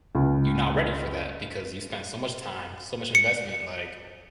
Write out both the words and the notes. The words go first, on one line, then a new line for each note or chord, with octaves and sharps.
you're not ready for that because you spent so much time, so much investment like
C#2
C#7